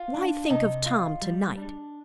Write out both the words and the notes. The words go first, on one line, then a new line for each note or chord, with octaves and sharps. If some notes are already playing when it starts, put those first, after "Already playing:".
Why think of Tom to-night?
Already playing: F4
D4
C3 D#4
F4
G3
D4